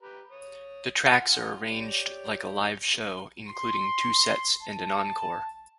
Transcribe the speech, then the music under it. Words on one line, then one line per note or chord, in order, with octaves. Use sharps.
The tracks are arranged like a live show, including two sets and an encore.
G4 B4 A#5
C#5 D#6
F4 F#5 G#5
G4 C#5 D5
C6
A5